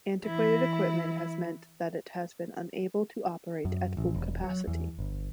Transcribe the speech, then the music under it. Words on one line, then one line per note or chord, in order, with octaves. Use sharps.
Antiquated equipment has meant that it has been unable to operate at full capacity.
E3 E4
F#2
A1
E1
F#3
E2
G1